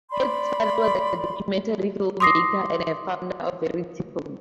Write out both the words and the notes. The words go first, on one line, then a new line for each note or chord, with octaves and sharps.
Head's father was a documentary filmmaker and a founder of Verity Films.
D5 B5 C6
C6 D6 D#6 A#6 C7